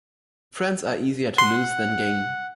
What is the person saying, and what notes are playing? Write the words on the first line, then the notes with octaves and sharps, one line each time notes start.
Friends are easier to lose than gain.
F#5 C6